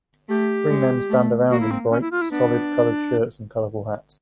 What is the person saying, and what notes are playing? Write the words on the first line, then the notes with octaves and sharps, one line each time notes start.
Three men stand around in bright solid colored shirts and colorful hats.
A3 G4
G#3
A3
A#3 F#4
E4
C4
C#4
E4
F4
E4
B3 D4